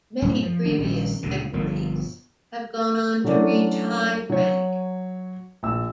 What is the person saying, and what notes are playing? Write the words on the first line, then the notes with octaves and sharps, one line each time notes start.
Many previous equerries have gone on to reach high rank.
F#2 A2
F3
D#3 G#3 D4
A#1 D#3 G3 C#4
C#2 A#2 D3
G1 B2 F3
E3 F#3 A3 C#4 D4 D5
F#3 C#5
A#1 E6